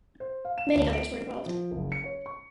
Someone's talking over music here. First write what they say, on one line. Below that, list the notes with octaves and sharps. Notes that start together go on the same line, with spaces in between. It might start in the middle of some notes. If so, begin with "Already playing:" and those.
Many others were involved.
C5
F5
E7
D2
D7
F3
F#1
C#7
C#5
C#6